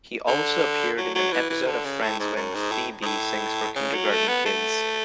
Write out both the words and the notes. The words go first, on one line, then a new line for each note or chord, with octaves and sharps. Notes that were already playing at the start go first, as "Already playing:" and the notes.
He also appeared in an episode of Friends when Phoebe sings for kindergarten kids.
D3
F#3
F#3
E3
E3
D3
C#3
A2
G#2
F#2
G#2
A2
G#2
A2
C#3
F#3
A3
B3
A3